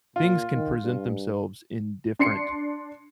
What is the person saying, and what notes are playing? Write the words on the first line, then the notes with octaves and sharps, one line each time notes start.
things can present themselves in different
A#2 F4
D#3
G2
D4 C6 C7 C#7